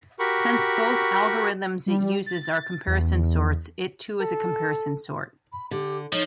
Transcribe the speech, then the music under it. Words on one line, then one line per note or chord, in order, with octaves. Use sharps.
Since both algorithms it uses are comparison sorts, it too is a comparison sort.
F#4 G4 A#4 B5 C#6
G3
A6
E2
A4
B5
D3 G4
F3 D#4 C#5